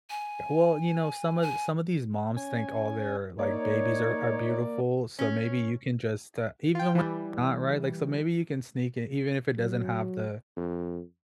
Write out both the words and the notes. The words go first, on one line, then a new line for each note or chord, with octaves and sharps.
Ju well, you know, some of some of these moms think all their, like, babies are are beautiful, so maybe you can just, uh, even when not right, like, so maybe you can sneak it, even if it doesn't have the
G#5
G#5
C#4 G#5
A#3 D#4 C#5 D5
C#4
F4 G5
E3 G3
F#3
F2